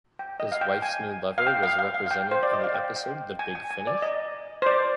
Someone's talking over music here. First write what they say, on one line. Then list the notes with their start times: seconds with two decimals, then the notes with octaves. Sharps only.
His wife's new lover was represented in the episode The Big Finish?
0.19 G5
0.40 D#5
0.52 F5
0.61 G5
0.82 G#5
1.38 F5
1.47 G5
1.63 F5
1.79 F5
1.94 F5
2.06 F5
2.11 G5
2.31 C5
2.43 D5
2.53 D#5
2.64 F5
2.74 G5
2.96 G5
3.39 G#5
3.55 G#5
3.71 G#5
3.87 D5
4.02 D#5
4.62 C5
4.66 D5